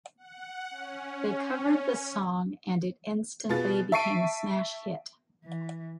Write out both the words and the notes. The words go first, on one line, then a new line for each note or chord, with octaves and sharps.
They covered the song and it instantly became a smash hit.
F#5
C#4
B2 B3 F4 G#4 A6
E5 A5 C#6 C7 D7 D#7
E3